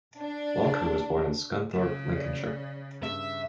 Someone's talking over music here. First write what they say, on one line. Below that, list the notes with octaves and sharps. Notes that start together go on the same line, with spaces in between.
Walker was born in Scunthorpe, Lincolnshire.
D4
C#3 E7
D5
G2 C#3 E5